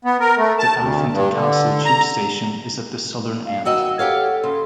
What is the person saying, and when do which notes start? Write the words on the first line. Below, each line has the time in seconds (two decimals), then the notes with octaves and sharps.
The Elephant and Castle tube station is at the southern end.
0.05 B3
0.20 A#4
0.38 A3
0.59 A5
0.78 D2
1.12 G2
1.33 D3
1.85 A#5
3.46 F5
3.65 D#3 F#4 D#5 E6
3.99 G4 A4 C#5 F5 F#5
4.44 C#3 C6